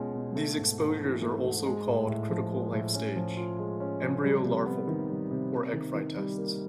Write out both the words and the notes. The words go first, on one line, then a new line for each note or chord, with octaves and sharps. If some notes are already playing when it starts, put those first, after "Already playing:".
These exposures are also called critical life stage, embryo-larval, or egg-fry tests.
Already playing: B2 G#3 C#4 F4
B2
A3
G#2
G#2
E3
A3
G#2
G#3
A2
A2
F3
G#3
A2
C#4
F3
F4
G#3
C#4
F3
G3
C3
B3
D#3
G3
C3
A#3
D#3
D#3
G3
A#3